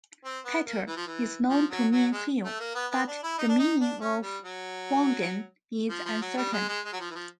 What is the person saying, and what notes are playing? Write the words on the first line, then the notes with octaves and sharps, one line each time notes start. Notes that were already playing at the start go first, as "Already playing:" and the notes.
"Katta" is known to mean "hill", but the meaning of "wongan" is uncertain.
C4
B3
A#3
E3
F3
E3
F3
F#3
F#3
G#3
A3
A#3
B3
B3
D4
E4
D#4
D4
D#4
D4
C#4
G3
F#3
F3
F3
F#3
G3
G#3
G#3
G#3
F#3
F3
E3
F3